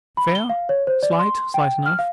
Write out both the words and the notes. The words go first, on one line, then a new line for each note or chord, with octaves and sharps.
Fair. Slight--slight enough.
B5
G7
F5
C#5
C5
D5
C6
G5
F6
F5